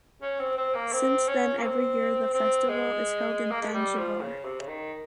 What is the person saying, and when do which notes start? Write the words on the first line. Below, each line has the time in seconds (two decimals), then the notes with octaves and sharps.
Since then every year the festival is held in Thanjavur.
0.22 C#4
0.40 C4
0.57 C4
0.75 A#3
0.92 C4
1.28 C#4
1.58 A#3
1.63 C4
2.33 C4
2.68 G#3
3.51 A#3
3.62 G#3
3.74 G3
3.97 F3
4.21 C#3
4.44 C3
4.60 C#3
4.68 D#3